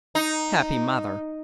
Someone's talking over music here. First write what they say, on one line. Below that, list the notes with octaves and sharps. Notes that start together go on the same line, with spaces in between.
Happy mother!
D#4